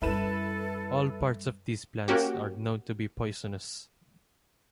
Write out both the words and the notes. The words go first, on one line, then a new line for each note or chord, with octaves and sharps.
All parts of these plants are known to be poisonous.
F#2 G3 E4 A4 B4 E7
A#3 C#4 F#4 G4